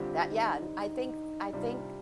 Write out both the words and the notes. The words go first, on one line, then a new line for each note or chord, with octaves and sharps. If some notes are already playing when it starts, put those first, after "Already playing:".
that, yeah, and I think I think,
Already playing: D3 G3 C4 F4 G4
D#4
C3 G3 D4 F4